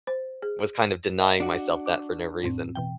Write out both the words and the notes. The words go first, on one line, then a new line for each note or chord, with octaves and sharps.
was kind of denying myself that for no reason.
C5
G#4
D#5 F5
D4 F#4
D6
F2 A2 C4
B2 E3 G5